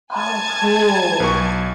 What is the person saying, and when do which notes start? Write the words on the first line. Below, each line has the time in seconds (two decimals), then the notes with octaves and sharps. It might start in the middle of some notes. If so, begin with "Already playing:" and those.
Oh, cool.
0.14 G#5 A5 G#6
1.20 B1 C#6